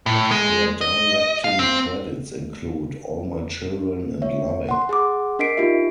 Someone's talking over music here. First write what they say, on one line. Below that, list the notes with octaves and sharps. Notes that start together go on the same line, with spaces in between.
Her directing credits include "All My Children" and "Loving".
A2
G#3
D#5
F5
C4
C#5 E5
F#5 C6
G#4 F#5 C6 D6
D4 A#4 D#5 B6 C7 D7
D#4 F4 G4 E5